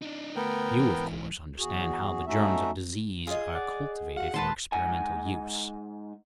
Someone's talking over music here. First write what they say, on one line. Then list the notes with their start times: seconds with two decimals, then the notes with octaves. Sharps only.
You, of course, understand how the germs of disease are cultivated for experimental use.
0.02 D4 D#4
0.36 D2 A3 B3 A#4 G5
0.80 G#2 E3
1.58 E2 F#4 G#4
2.27 A3 C#4 D#4 F#4 E5
3.27 F4 G#4 D#5
3.55 D5 F#5
4.17 F#4 F5 F#5
4.34 A#2 D#3 G#3 B4 A5 C6
4.72 G#2 F#5 G#5